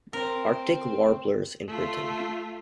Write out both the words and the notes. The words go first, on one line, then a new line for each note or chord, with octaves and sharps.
Arctic warblers in Britain.
C4 A#4
A3 F4